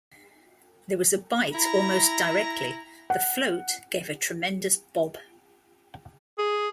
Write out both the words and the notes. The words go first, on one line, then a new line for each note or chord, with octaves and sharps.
There was a bite almost directly; the float gave a tremendous bob!
E4 A#5
F#5
G#4